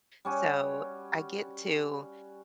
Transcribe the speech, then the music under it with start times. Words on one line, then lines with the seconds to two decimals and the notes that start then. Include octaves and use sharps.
So, I get to,
0.25 G3 C#4 F#4 G#5